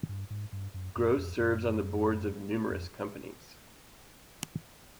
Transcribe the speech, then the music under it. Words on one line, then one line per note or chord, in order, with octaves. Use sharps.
Gross serves on the boards of numerous companies.
G2
G#2
G2
F#2
F#2
F2
F#2
F2